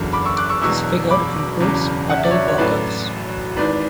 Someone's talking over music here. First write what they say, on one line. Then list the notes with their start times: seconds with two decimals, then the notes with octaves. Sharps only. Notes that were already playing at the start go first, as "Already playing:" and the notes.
This figure includes hotel workers.
Already playing: F#1 E2 D3 F#3
0.13 B5 D6
0.25 C#6 E6
0.37 D6 F#6
0.50 C#6 E6
0.61 E1 E2 B2 F#3 C#6 E6
1.10 B5 D6
1.60 E1 E2 C#3 F#3
2.10 F#5
2.17 E5
2.24 D5
2.30 C#5 E5
2.48 C#5
2.58 A1 A2 F#3 B4 D5
3.56 G#1 G#2 E3 B4 D5